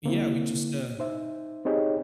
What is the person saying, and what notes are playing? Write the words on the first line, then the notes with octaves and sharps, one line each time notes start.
Yeah, we just, uh
D3 A#3 C4 E4
D#4 C5 E5
C4 D#4 G4 G#4 C#5 D#5